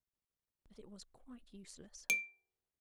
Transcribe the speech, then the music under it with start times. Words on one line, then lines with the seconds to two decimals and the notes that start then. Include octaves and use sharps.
But it was quite useless.
2.10 D7